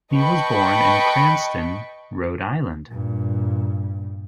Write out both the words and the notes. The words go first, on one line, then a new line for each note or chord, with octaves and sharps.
He was born in Cranston, Rhode Island.
B4 D#5 G5 A5 B5 C#6
G2 A#2